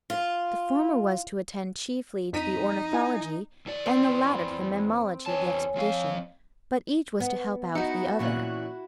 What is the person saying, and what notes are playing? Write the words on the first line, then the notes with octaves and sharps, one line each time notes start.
The former was to attend chiefly to the ornithology and the latter to the mammalogy of the expedition; but each was to help out the other.
F4
F2 D#4 B6 D#7
E4 G#5
E2 E4 D5
C4
B5
E2 C#5 G#5 A5
F3 C4 F5
B3
D#4 E4 F#4 C#7
A#2 E3 C#4 C#6 F#6